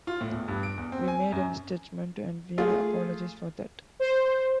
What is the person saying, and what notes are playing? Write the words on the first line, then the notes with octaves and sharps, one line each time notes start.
We made a misjudgment and we apologise for that.
F4
A2
E2
G2
D7
E2
C4
G#5
F#2
A3 F4 G#4
C5